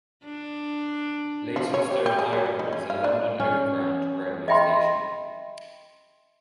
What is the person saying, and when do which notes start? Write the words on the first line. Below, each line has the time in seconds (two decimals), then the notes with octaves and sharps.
Leytonstone High Road is a London Overground railway station.
0.25 D4
1.56 F3
1.74 C#5
1.91 G4
2.06 G4
2.19 G#4
2.33 F#3
2.46 G3
2.59 D#3
2.73 C#4
2.90 F5
3.04 D4
3.40 C#4
4.48 D#5 E5 G5 B5 C6